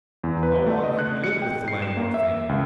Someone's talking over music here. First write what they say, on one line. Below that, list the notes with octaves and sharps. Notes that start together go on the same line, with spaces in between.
"How long have you lived with the Langmore family?"
E2
B4
A3
D#5
F#6
C#7
G5
C7
E7
A#3
E5
C#2